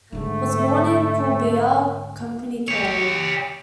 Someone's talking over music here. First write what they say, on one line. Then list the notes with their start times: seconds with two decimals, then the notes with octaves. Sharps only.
Was born in Coolbeha, Company Kerry.
0.12 G#2 D3 A3
2.68 G4 C#5